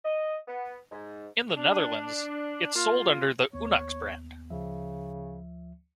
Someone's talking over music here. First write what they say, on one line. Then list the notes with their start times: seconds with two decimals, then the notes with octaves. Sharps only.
In the Netherlands it is sold under the Unox brand.
0.05 D#5
0.48 B3
0.91 G#2
1.56 D4
2.75 A#3 F4
3.53 D#2 B3 C#5
4.50 D2 C#3 F3 E5